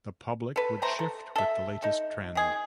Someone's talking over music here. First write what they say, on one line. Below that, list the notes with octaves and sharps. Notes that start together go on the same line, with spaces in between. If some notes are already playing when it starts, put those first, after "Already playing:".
The public would shift with the latest trend.
A4 B4
E3 A3 C5 A#5
A4
A4 E5
D#4 A4
D#3 G#4